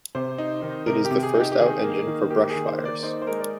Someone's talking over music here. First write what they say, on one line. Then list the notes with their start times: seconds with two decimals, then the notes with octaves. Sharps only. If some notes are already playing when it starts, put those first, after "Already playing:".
It is the first out engine for brush fires.
0.15 C3 C5
0.38 D#4
0.62 D#3
0.87 C3 A#4
1.05 G4
1.11 C3
1.23 G#4
1.35 D#4
1.40 G4
1.52 G4
1.59 D#3 G#4
1.83 A#3
2.07 D#3
2.31 A#3 G4
2.50 G#4
2.55 D#3
2.67 C5
2.79 A#3
2.85 D5
3.03 D#4 C5
3.22 C5
3.27 G#3 A#4
3.40 D5